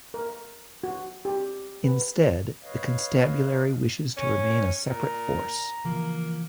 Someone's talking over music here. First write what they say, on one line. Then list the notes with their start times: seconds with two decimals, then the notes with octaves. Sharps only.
Instead, the constabulary wishes to remain a separate force.
0.14 A#4
0.84 F#4
1.25 G4
1.84 B4
2.62 B4 C#5 D#5 F5
4.17 C#4 C#5
4.89 A#2 A#5
5.85 C#3 E3 F3 A#3